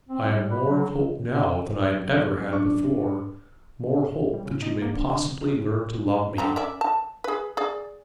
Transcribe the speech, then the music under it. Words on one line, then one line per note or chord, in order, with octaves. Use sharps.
I have more of hope now than I have ever had before--more hope that you may possibly learn to love me.
C4
G3
B4
F#3
B1 F#2
D4 C#6
G3
C#3
D#4
A#3
D3
D3
D3 C4 A#5
C#4 D5 E5
A5
G#4 B4
G#4 D5